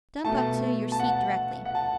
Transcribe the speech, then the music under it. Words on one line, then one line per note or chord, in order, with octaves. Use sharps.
Jump up to your seat directly.'
B2 A3 A5
A5
F#5
F#5
A5